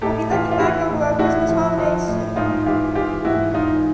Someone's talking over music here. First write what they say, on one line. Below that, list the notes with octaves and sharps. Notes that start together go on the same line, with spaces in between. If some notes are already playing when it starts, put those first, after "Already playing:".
We'll be looking back over our Christmas holidays soon.
A2 G4 A4
E3 F4 G4
F4
E3 E4 F#4
A2
A2 E4 F#4
F3
F3
A2
G#2 D#4 F4
E3 F4 G4
E3 F4 G4
G#2 E4 F#4
E2 D#4 F4